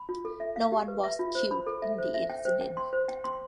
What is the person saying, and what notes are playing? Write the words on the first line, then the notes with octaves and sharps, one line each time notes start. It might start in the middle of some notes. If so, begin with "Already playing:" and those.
No one was killed in the incident.
Already playing: B5
F4
A4
E5
F5
G4
B4
E5
F4
C5
B5
A4
E5
C5
E5
G5
C5
G5
C6
C5
G5
C6